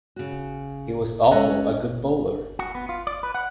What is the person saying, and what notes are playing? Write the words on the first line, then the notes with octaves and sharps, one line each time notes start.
He was also a good bowler.
C#3 F#4
G#3 C#4 A4 D#5 F#5
F#4
B3
F4
D5
B4
F#5